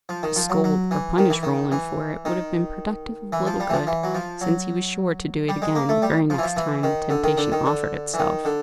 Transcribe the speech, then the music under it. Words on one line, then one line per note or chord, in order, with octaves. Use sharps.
To scold or punish Roland for it, would have been productive of little good, since he was sure to do it again the very next time the temptation offered itself.
F3
D#3
F3
F#3
F#3
E3
D#3
E3
D#3
E3
D#3
E3
F3
G3
E3
F3
E3
F#3
F3
F#3
G3
G#3
A#3
A3
G3
F3
E3
F3
E3
D#3
D3
D#3
D3
D#3
D3
E3
D#3
D3